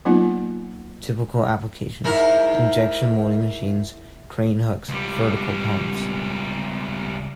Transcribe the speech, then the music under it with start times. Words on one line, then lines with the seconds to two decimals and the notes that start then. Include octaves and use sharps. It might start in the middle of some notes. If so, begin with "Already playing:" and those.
Typical applications: injection molding machines, crane hooks, vertical pumps.
0.05 F#3 A#3 B3 D#4 F4
2.04 G#2 E4 A#4
4.89 C#2 G3